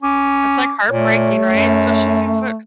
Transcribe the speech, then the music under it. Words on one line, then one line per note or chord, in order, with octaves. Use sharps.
It's like heartbreaking, right? Especially if you put
C#4 D6
A#2 A3 C#5
F#2